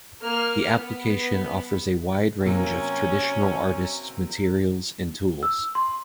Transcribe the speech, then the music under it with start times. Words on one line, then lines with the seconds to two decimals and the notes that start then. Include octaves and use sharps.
The application offers a wide range of traditional artists' materials and tools.
0.22 A#3 F6
0.74 B3
2.46 C3 F#3 A#3 C#4
5.43 E6
5.75 C6